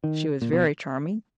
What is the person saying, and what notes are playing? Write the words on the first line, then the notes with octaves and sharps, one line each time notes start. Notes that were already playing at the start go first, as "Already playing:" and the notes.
She was very charming.
D#3
A#2
B2